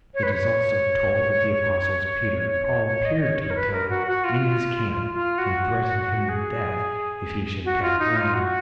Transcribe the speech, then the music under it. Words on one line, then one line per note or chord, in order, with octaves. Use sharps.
It is also told that the apostles Peter and Paul appeared to Attila in his camp and threatened him with death if he should attack Rome.
C#5
B4
C#5
C#5
D#5
C#5
C#5
A#4
B4
A#4
F#4
F#4
F4
F4
F4
F#4
G#4
F#4
F4
D#4
F4
F#4